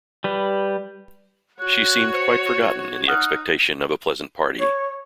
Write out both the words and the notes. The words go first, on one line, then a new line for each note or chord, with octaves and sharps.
She seemed quite forgotten in the expectation of a pleasant party.
G3 B4
F#4 C#5 F#6
C5 C#7
G#6
D#4 F#5 D#6 F6 F#6
C#5